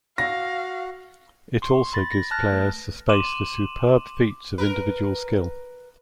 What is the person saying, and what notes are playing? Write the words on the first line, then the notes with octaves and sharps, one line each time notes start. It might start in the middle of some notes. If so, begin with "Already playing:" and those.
It also gives players the space for superb feats of individual skill.
F#4 F5 A#6
C6 C#6
B5 A6 A#6
A#6
A5 F6 F#6 A6 A#6
A3 B4
C6 D6 D#7 E7 F#7
A#4 B4